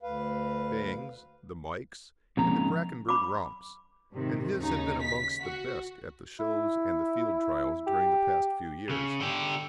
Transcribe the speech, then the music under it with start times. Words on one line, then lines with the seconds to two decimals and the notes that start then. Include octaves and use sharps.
Bangs, the Mikes, and the Brackenburg Romps, and his have been amongst the best at the shows and the field trials during the past few years.
0.03 D2 B4 F5
2.37 G#2 C#3 F3 A#3 C4 A#5
3.09 B5 D6
4.11 G#2 C3 D#3
4.56 D#2 C#3 D#4
5.01 B6
5.41 F#4
6.39 E4
7.87 G4
8.90 C#3
9.20 D3 G4